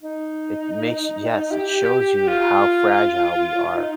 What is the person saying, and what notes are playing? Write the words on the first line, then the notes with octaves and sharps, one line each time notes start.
It makes Yes, it shows you how fragile we are
D#4
G4
F4
D#4